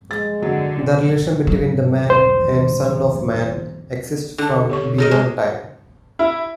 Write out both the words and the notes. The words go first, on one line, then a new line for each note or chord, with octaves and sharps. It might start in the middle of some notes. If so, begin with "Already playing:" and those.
The relation between the "Man" and "Son of Man" exists from beyond time.
G#3 A6
D3 F#3
F#3
C5
D3 D#4 A5
G4 C#5 C#6
D#4 G#4 A#4 C#5 D#5
G#3
E4